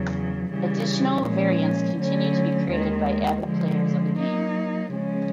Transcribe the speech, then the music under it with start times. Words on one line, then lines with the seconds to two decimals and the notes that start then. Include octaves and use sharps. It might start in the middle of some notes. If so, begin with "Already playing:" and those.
Additional variants continue to be created by avid players of the game.
Already playing: E2 C#3 F#3
0.51 C#3 E3 G3
1.24 A#2 F3 G#3 C#4
1.97 D3 F#3 A3 C#4
2.71 D#2 D#3 G#3
3.44 D3 F3 G#3
4.18 F#3 A#3 D#4
4.91 C#3 F3 G#3 C#4